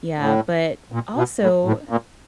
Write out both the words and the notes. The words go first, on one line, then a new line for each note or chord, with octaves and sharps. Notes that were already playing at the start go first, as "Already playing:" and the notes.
yeah. But also
A2
A#2
B2
A2
A2
A#2